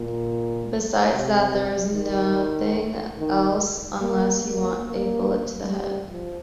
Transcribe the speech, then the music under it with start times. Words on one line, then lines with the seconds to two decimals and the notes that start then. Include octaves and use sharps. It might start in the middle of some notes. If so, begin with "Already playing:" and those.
Besides that there is nothing else unless you want a bullet to the head.
Already playing: A#2
1.09 C3
1.92 D#3
3.18 D#3
4.01 A#3
4.42 A#3
4.84 A#3
5.68 G3
6.10 F3